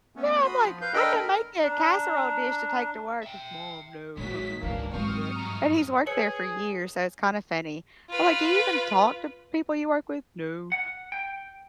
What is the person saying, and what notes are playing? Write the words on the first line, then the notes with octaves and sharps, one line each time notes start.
Yeah, I'm like, "I could make you a casserole dish to take to work." He's, "Mom, no, uh-uh, I don't wanna do that." And he's worked there for years, so it's kinda funny. I'm like, "Do you even talk to people you work with?" "No."
A3 B3 C#4
F#4 B5 C6 D#6
F3
B4 F5 G6
D4 A4 A#4 D#5 G5 B5
A#4
D4 A#5
E5 G5
A1 G#3 A#3 F#4 C#5 B6
G#1 C#2 E3 A#3 D4
G#2 E3 F#3 G#3 C4 C#6 D#6 F6
G2 A#5
G#4 B4 C#5 C#7
F4 B4
F#5
G5